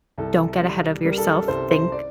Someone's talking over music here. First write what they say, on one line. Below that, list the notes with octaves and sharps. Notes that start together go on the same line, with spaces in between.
don't get ahead of yourself. Think
C2 A4
G3
G3 A#4
A4
A#4
C2 C5
C5
D5